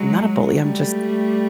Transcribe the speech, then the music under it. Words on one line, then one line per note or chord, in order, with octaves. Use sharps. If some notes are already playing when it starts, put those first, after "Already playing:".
I'm not a bully, I'm just
Already playing: F#3 G#3
G3 A3